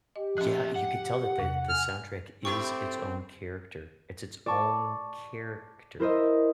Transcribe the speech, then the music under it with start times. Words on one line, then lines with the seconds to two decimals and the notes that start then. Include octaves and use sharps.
Yeah, you could tell that the the soundtrack is its own character, it's its own character,
0.16 G4 D#5
0.38 F3 C#4 G#4 E5
0.75 F#5
1.38 E2 C3
1.69 G#5 F6
2.45 A3 C4 E4 G4 C#6
4.46 D5 A5 C#6 D6
6.00 E4 A#4 C5 D#5 E5